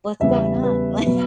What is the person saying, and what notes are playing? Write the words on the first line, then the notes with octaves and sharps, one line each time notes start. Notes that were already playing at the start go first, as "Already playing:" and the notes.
"What's going on?" Like
E2 C#3 G3 B3 E5
B4
B2 F#3 B3 B4